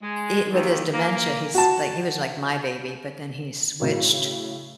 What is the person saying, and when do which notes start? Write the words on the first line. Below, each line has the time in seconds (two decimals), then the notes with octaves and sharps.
i with his dementia he's Like, he was like my baby, but then he switched
0.01 G#3
0.52 D#2
0.93 A#3
1.55 F#4 A5
3.80 A2 C#3 F#3